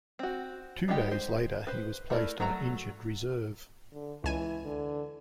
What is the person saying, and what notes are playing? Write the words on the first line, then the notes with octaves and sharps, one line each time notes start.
Two days later, he was placed on injured reserve.
C4 F#4
G3 G#3 D#4 F#4 G4
C5
B4 C5
A3 E4 A#4 D5
F#3 A3 F#4 A#5
D3
C#2 E3 G#5 D#7
D3